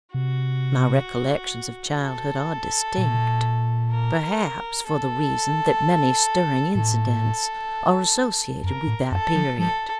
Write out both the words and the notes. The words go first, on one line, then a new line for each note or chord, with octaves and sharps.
My recollections of childhood are distinct, perhaps for the reason that many stirring incidents are associated with that period.
C3 F#4
A4
A#2
A#4
A4
A2 A4
F#2 A#4
A2
F#2 A4
F3
F3 A4